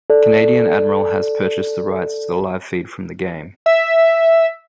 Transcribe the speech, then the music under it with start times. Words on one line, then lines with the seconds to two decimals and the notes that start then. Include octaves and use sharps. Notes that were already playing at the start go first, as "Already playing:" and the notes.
Canadian Admiral has purchased the rights to the live feed from the game.
0.10 A4 D5
3.66 E5